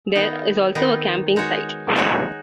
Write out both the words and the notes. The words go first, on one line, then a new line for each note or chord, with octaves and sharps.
There is also a camping site.
D#3 B3 D#4
D#3 B3 D#4
G#3 D#4 F#4 C#5
G#3 D#4 F#4 C#5